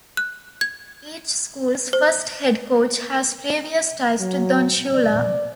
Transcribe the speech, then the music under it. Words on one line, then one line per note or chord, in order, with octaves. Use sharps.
Each school's first head coach has previous ties to Don Shula.
F#6
G#6
C5
F#3
D5